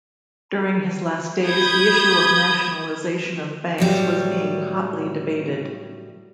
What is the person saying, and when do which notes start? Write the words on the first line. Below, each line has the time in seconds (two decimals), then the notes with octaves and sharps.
During his last days, the issue of nationalization of banks was being hotly debated.
1.44 B5 D#6 G6 G#6
3.78 A2 F#3 G3